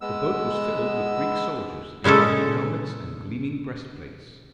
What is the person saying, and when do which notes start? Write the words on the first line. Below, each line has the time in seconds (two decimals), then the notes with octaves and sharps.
The boat was filled with Greek soldiers in lofty helmets and gleaming breastplates.
0.01 G#3 B3 E6
2.04 A#2 C#3 G#3 C#4 A4